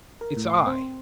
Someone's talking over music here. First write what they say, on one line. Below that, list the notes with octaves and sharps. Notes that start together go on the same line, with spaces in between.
"It's I."
A#4
A2
C6
C4